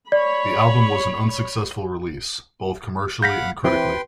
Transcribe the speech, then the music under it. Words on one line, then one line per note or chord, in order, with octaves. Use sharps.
The album was an unsuccessful release, both commercially and critically.
C#5 D5 B5
F5 F#5 B5 G6 A#6 B6
E3 C4 B4 G5 C6